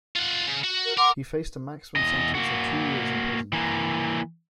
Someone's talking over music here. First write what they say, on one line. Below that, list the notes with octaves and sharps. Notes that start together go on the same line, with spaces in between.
He faced a maximum sentence of two years in prison.
F4 F#5
C#3
F#4
A#4
A#4 F#5 C6 D6
E2 D#5
A#3 F#4
E3 A#3